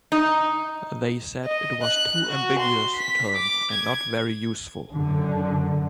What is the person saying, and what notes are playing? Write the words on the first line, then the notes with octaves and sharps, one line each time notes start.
They said it was too ambiguous a term, and not very useful.
D#4
D#5
F#6
F#4
C6
B6
D6
G#6
F#2 D3